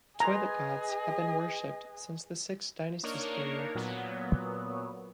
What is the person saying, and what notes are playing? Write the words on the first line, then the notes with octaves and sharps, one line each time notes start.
Toilet gods have been worshipped since the Six Dynasties period.
G#4 B4 D#5 G#5 A#5 C6
A#3 D4 D#4 A#4 C#5
A#2 F#3 B3